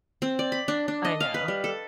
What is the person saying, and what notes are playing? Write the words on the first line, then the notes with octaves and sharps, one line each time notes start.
I know.
C4
D5
B5
D4
D4
D#5
F5
B4
G3
A4